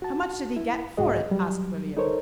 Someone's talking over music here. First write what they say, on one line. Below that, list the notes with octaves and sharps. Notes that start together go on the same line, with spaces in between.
"How much did he get for it?" asked William.
F#4 A5
E4
C2 G#2 F#4 G#4 D#5
F#3 G3
D#4 A4 A#4 C5 C#5